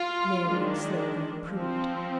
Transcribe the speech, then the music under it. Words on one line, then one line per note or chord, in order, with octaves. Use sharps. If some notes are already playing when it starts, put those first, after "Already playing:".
Marian slowly improved.
Already playing: F4
D#3 G#3 D4
F3 C4